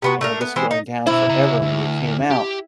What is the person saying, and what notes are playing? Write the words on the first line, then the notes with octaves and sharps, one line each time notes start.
and were just going down forever, and when you came out,
C3 B3 F#4
A3 D4 A#4
B3
E3 G#3 C4 G#4
D#4
B2 E4 C5
C#3 A#5
D2
G4